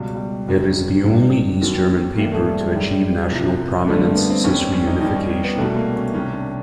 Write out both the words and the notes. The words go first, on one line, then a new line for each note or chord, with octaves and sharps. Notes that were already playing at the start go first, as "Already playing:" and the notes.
It is the only East German paper to achieve national prominence since reunification.
Already playing: C#2 B2 G3
G3
F#2 C#3 F#3
C#2 C3 D#3 G3 C4
D#2 D#3 F#3
A2 E3 G3 A#3
A3
G3
G#3
F#2 D#3 G3
C2 C3 F3
G2 D3 G3 A3
A#3
B3
C4
D#2 D#3 G3 C#4
C4
C#4
D#4
D#2 D#3 G3 D#4
C#4
B3
C2 B2 G3 A3
A#3
C#4
C2 C3 D#3 C#4
D4